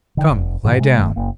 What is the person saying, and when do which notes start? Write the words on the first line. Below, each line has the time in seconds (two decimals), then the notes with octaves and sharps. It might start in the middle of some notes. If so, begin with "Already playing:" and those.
"Come, lie down."
0.17 D3 D#3
0.29 F1
0.65 G#2 C#3 E3
0.78 C3 G#3
0.98 F1 G2 D#3 A3
1.16 F#1 A#3